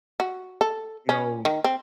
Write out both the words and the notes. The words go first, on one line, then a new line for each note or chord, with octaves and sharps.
you know
F#4
A4
C#4
D#3
C4